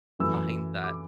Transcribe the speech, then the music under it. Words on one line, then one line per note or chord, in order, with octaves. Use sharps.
find that,
F#2 E3 A3 E6
D6